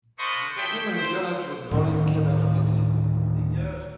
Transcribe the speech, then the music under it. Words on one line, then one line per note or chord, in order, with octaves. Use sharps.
Simon Gionet was born in Quebec City.
A#3 D4 C5 D#5 B5 C#6
D4 G#4 A4 E5 G5
C5
D1 A2 D#3 C#4